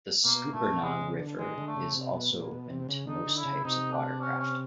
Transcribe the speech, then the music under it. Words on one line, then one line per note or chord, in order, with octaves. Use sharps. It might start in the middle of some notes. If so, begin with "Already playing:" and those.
The Scuppernong River is also open to most types of watercraft.
B2 A#3
A#2 A3
C3 G#3
C#3
D3
D#3 G#3
D3
A3
C#3
C3
B2
A#2
B2
C3
C#3
D3 D#4
D3
E4
C#3
C3 D#4
D4
C#4
C#4